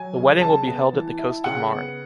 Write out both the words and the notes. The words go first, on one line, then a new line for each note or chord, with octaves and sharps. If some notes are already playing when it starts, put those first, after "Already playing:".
The wedding will be held at the coast of Marne.
Already playing: F#3 G#5
C#3
C#3 A5
B3
E3
E4
C#3 F#5
B3